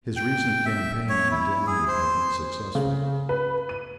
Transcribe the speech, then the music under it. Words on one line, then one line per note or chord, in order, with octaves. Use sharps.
His recent campaign on the Danube had been successful.
G5
E5
C#5
E4
G#4
C5
C#3
B4
D#7